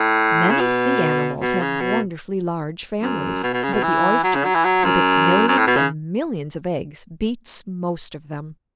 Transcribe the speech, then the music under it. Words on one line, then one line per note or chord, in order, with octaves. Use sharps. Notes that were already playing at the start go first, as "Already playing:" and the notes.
Many sea-animals have wonderfully large families, but the Oyster, with its millions and millions of eggs, beats most of them.
Already playing: A2
C#3
B2
B2
C#3
B2
F#2
B2
B2
C#3
B2
E3
F#3
C#3
F#3
E3
F#3
F#2
F#2
A2
B2
C#3